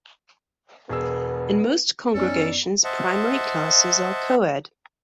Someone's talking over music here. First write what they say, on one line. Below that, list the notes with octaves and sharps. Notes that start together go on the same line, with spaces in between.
In most congregations Primary classes are co-ed.
E1 B3 G#4 E6
F#2 B3 C#4 D#4 A4 C#5 D5
C5 D#5 E5 F#5 A5